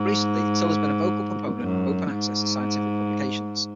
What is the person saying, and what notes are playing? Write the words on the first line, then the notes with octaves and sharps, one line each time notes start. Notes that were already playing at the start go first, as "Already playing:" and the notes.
Recently, Till has been a vocal proponent of open access to scientific publications.
Already playing: G#2
F#2
G#2